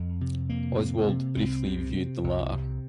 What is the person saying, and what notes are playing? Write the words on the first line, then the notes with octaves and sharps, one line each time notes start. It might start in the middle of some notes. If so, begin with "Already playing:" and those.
Oswald briefly viewed the latter.
Already playing: F2 C4
C3
F2 A#3
C3
C3
C2 C4
C3
C3
C2
C3